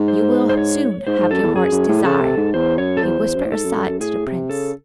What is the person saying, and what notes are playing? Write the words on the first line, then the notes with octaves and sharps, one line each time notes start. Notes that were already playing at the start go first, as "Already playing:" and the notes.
"You will soon have your heart's desire," he whispered aside to the prince.
Already playing: G#2
C5
C5
C#5
G#2 C5
G#2
F#2 A4
E2
F#2 G#4
F#2
A2
C#3 A4
C3
G#2
E2 C5
F#2 C#5
A4
E2 C5
E2
F#2
A2
G#2 A4
F#2
F#2
F#2
A2 G#4
C3
C#3 A4